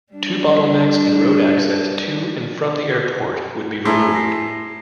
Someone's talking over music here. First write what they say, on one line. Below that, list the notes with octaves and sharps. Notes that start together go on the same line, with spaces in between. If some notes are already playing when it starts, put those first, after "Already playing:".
Two bottlenecks in road access to and from the airport would be removed.
G3 D4
A2 G#5 A#5 C6
A#6 C7